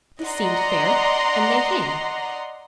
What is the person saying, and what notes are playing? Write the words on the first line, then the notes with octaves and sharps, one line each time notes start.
This seemed fair, and they came.
D5 D#5 F#5 A#5 C6